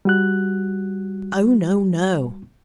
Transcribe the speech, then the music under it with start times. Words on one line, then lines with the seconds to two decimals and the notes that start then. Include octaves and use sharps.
O no, no.
0.05 G3 F#4 F#6